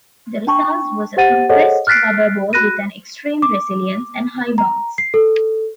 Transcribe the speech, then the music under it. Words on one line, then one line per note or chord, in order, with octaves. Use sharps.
The result was a compressed rubber ball with an extreme resilience and high bounce.
D4 G5 A5 C#6
G4 C5 F#5 A6 D#7
G#4 A4 C5 C#5 D#5 F#5
F6 F#6 A6 B6 C7 D7
F#4 B5 F#6 A#6 D#7
D6
A#5
C7
A4